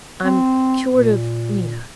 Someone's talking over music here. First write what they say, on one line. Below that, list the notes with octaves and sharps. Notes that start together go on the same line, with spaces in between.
I'm cured of--Nita.
C4
A#2